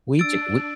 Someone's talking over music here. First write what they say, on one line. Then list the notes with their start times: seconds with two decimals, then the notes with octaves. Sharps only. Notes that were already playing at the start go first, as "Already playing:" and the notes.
We ju we
0.19 D4 E6 A6 D7